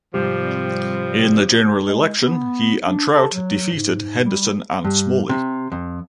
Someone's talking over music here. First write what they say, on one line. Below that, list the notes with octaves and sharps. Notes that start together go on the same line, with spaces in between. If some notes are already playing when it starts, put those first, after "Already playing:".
In the general election he and Trout defeated Henderson and Smalley.
G#2 C3 F3 G3 C4 G4
G#3
B3
D4
A4
F#3
G#2
G3
G2
C3
F2